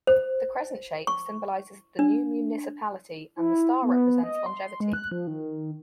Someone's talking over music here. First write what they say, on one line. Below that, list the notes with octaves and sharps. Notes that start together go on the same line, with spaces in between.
The crescent shape symbolizes the new municipality, and the star represents longevity.
C5
C#6
D4
E4
B3
D#5
C6
G#3
F#6
F3
D#3